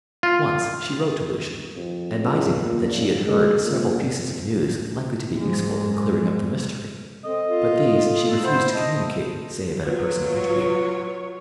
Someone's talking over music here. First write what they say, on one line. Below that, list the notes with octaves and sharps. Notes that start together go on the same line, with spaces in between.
Once she wrote to Lucian, advising him that she had heard several pieces of news likely to be useful in clearing up the mystery; but these she refused to communicate save at a personal interview.
F4
F2
C#2
A#2
C#2
G#3
A#2
G#2 G#3
C4 A4 D#5
F4
G3 A4
E4 C5 F#5
D#5 A5
F#3 F4 B4
C#5